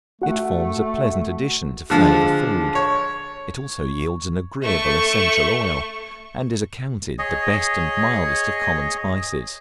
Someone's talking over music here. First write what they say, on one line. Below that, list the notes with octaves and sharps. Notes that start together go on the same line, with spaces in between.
It forms a pleasant addition to flavor food; it also yields an agreeable essential oil, and is accounted the best and mildest of common spices.
A3 F#4 F#5
D3 F3 G#3
C#5
A3 C#6
G#4 C#5 D#5